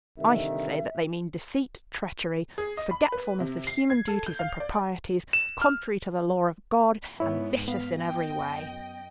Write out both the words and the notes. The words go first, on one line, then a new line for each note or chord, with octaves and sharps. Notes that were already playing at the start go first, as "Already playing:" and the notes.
I should say that they mean deceit, treachery, forgetfulness of human duties and proprieties, contrary to the law of God and vicious in every way.
C2 D3 D#3 E5
G#4
D#5
B5
B4
C3
C7
G#6
A4
G6
F5
D5
E7
F6
G#2 B3 E4 C#5
B3 F5 B6
F#2 D#5 G5